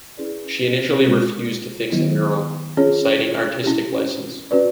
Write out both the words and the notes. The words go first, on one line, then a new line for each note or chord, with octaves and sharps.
She initially refused to fix the mural, citing artistic license.
C#4 E4 G#4 B4 D5
G#3 C4 F4 A4
D#3 F#3 B3 E4
C#4 F4 G#4 C#5
C#4 E4 G4
C#4 F#4 B4 D5